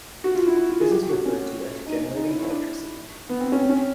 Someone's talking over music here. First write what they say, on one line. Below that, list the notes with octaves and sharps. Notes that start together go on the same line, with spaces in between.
This is referred to as generating electricity.
F#4
F4
E4
E4
F4
G#4
G4
G4
F#4
C#4
D#4
D4
D#4
D#4
E4
E4
D4
B3
C4
C#4
C4
C#4